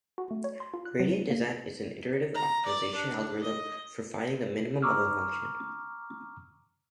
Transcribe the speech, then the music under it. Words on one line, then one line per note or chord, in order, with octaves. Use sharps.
Gradient descent is a iterative optimization algorithm for finding the minimum of a function.
F#4
A3
C#5
C6
F4
F#6
F#3
D#7
A#3
A#5
D5
D4
D#5
A#5 C#6 D6 E6 F6